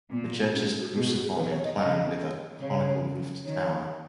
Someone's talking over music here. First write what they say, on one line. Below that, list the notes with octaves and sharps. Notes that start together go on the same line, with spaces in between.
The church is cruciform in plan with a conical roofed tower.
A#2 B3
B3
C#4
F#4
B2 G#4
F#4
G#4
D#3 B4
C#5
D#5
C#3 D#5
C#3 C#5
D#3 C#5